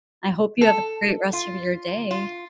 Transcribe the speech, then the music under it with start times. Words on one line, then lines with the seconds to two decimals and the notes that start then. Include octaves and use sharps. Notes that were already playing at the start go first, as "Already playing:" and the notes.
I hope you have a great rest of your day.
0.61 A4
1.33 F4
2.11 F4